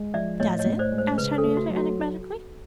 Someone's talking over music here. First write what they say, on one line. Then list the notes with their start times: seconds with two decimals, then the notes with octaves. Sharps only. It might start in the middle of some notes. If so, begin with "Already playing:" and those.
"Does it?" asked Henriette, enigmatically.
Already playing: G#3
0.14 F3 D5 E5
0.40 A2 C#5 D#5
0.59 C#5 D#5
0.66 A2
0.79 C5 D5
0.92 G#3
0.98 C5
1.18 C#3 B4
1.38 A4
1.44 A3
1.57 F#4
1.70 F#3
1.77 F#4